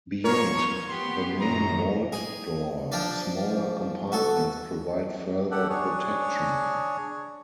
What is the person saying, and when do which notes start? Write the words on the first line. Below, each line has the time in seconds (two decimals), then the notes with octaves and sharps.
Beyond the main vault door, smaller compartments provide further protection.
0.24 F3 A#4 C#5
0.89 B3 G4 C6
1.41 F#2 D#3 A#5
2.12 G#4
2.92 F3 D4 D5
4.12 F#4 A4
5.51 G4 A4 F#5
5.69 D4 G#4 C#5